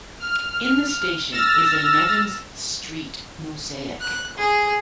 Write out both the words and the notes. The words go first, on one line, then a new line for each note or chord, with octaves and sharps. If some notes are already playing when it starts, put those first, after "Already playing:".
In the station is a "Nevins St." mosaic.
F6
E6 F6 A6 A#6 E7
F#6
G#4